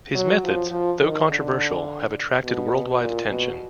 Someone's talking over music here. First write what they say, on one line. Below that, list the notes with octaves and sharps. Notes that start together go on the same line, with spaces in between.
His methods, though controversial, have attracted worldwide attention.
F#3
F3
F3
D#3
D3
B2
A#2
B2